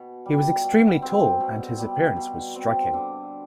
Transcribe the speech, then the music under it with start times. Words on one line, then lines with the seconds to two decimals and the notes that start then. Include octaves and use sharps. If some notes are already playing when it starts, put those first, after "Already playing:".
He was extremely tall and his appearance was striking.
Already playing: B2
0.26 G3
0.64 B2
1.02 C4
1.40 B2
1.78 G3
2.16 B2
2.55 C4
2.94 D3